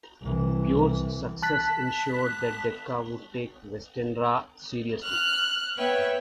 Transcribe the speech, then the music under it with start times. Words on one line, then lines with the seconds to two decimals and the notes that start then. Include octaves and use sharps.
"Pure"s success ensured that Decca would take Westenra seriously.
0.22 C2 E3
1.42 A5 F#6 B6
5.04 F6 F#6
5.78 B3 B4 C#5 E5 G5